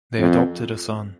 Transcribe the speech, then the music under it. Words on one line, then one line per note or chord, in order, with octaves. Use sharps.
They adopted a son.
F2